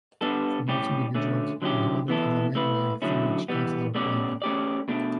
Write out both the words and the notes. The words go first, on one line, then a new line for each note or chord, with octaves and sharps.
For most individuals, withholding is the main way through which taxes are paid.
G3 B3 D4 A4
A2 G3 C#4 G4
D3 A3 C#4
D3 F#3 C#4 E4 G4
E3 B3 E4 A4
A3 E4 B4
D3 F#3 A3 C#4 E4
E3 G3 B3
B2 A3 C#4 G4 D5
A3 C#4 G4 D5
B2 A3 D4